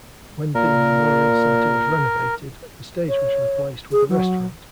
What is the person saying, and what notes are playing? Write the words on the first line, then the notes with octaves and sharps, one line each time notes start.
When the Memorial Centre was renovated, the stage was replaced with a restaurant.
A#2 A#4
C#5
G#4
F#3